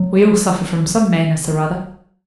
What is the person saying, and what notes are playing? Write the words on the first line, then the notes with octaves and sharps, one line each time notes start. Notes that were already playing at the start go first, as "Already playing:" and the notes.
We all suffer from some madness or other.'
Already playing: F#3